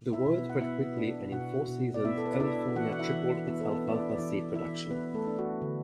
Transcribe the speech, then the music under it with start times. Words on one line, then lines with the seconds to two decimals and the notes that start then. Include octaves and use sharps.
The word spread quickly and in four seasons California tripled its alfalfa seed production.
0.13 E4 E5
0.26 B2
0.37 B3 B4
0.50 F#5
0.61 B3 E4 E5
0.97 D4
1.32 B2 F#4 F#5
1.68 B2
1.94 D5
2.05 B3 E4 E5
2.18 A4
2.26 B4
2.33 D5
2.40 D4 E4 E5
2.75 E3 F#4 F#5
2.92 F#5
2.99 E4 E5
3.11 E3
3.47 B3 E4 E5
3.60 A4
3.71 B3 B4
3.84 D4 D5
3.95 E4 E5
4.12 D5
4.18 E3 E4 E5
4.54 E3 E4 E5
4.91 B3 B4
5.14 A3 A4
5.26 D4
5.39 F#4
5.62 D3